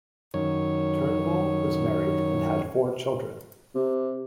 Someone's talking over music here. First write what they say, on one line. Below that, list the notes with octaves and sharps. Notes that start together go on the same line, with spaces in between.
Turnbull was married and had four children.
F#2 D#3 C#5
C3